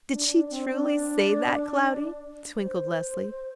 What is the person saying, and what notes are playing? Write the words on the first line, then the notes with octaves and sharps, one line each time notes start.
"Did she truly say that, Cloudy?" twinkled Leslie.
D4
D4
C4
D4
C5